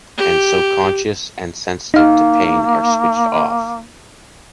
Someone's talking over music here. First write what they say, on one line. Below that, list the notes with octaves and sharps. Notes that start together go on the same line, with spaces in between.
And so conscience and sensitivity to pain are switched off.
G4
A#3 D#4 F5